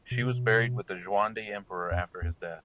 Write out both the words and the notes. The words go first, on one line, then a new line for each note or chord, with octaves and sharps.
She was buried with the Xuande Emperor after his death.
B2
C3
B2
F2
E2